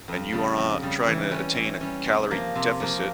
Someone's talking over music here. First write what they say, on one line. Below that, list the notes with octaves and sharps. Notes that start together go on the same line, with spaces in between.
and you are not tryna attain a calorie deficit,
F2
C#3 G3
F2
C#3 G3
E3
G3 C#4
E3
G3 C#4
C3
F3 A#3
C3
F3 A#3